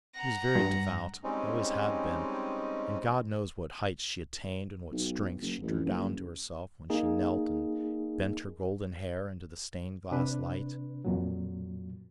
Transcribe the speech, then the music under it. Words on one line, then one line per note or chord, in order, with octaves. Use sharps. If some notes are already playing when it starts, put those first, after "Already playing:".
She was very devout, always had been, and God knows what heights she attained and what strength she drew down to herself when she knelt and bent her golden hair into the stained-glass light.
F#5 A#5
G2
G3 G#3 C4 C#4 D#4
B1
F#1
A1
F#1
A#3 D#4 G#4
C3 D4 B4
F2 A#2 F#3